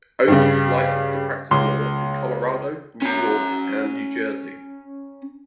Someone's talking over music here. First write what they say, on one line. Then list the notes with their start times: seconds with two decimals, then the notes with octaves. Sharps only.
Oates is licensed to practice law in Colorado, New York, and New Jersey.
0.28 G2 C#3
1.51 C#2 C6
3.02 C#4 A#5